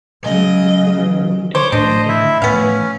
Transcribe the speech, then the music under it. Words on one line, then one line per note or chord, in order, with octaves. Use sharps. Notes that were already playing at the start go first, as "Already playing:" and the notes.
Three people were wounded in the attack.
C#3 F#3 D#5
C5 C#5 D6
A2 D4 C5 D#5
E4 E5
A2 B3 C#4 F5